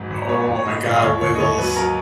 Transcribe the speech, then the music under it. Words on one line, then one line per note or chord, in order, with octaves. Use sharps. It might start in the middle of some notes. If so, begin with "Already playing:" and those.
Oh my god, Wiggles.
Already playing: G#1 G#2 F#3
G#1
G#2 C#5
G#1
C#5
G#2 D#5
G#2
D#5
D#2 C#5
D#2 C#5
D#5
D#2 C#5
F#3 B4
F#3 A#4